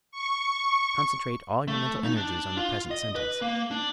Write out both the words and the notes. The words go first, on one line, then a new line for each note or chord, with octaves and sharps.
Concentrate all your mental energies on the present sentence.
C#6
A3
D#4
D4
F4
D#5
B4
A#3
D4